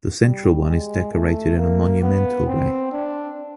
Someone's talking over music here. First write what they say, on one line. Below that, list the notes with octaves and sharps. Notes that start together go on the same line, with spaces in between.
The central one is decorated in a monumental way.
G3
G#3
A3
A#3
B3
C4
D4